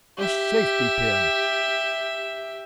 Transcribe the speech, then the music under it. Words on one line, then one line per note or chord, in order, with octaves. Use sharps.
A safety-pin! ...
G4 E5